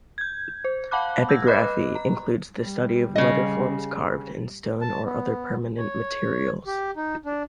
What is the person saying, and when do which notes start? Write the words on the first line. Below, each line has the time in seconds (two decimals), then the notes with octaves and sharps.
Epigraphy includes the study of letterforms carved in stone or other permanent materials.
0.18 G6 G#6
0.64 C5
0.91 F5 F#5 A5 B5 D6 F#6
1.29 E6 G6 G#6 A#6
1.47 B4 D#5 B5 D6 F#6
1.95 A#5
2.60 G3
3.15 C#3 D#5
4.81 A5
5.05 B3
5.78 C#5
6.66 G4
6.96 D#4
7.25 D4